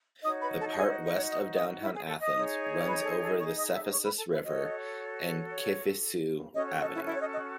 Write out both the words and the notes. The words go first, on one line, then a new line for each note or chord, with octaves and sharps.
The part west of downtown Athens runs over the Cephisus river and Kifissou Avenue.
D#4 F#4 C#5 D#5 D#6
B4 B5
A4 A5
A5
G#4 G#5
C#5
D#5
C#5
D#5
D#5
E4 E5
G#4 G#5
A4 A5
D#5 D#6
D#4 G#4 C#5
B4 B5
A4 A5
A4 A5
C#5 C#6
D#5 D#6
E5 E6
C#5 C#6
B4 B5
A4 A5
E4 E5
F#4 A4 C#5 D#5
C#5
C#4 F#4 A4 C#5 D#5
C#5
D#5
E4 E5
E4 E5
C#5
D#5
D#5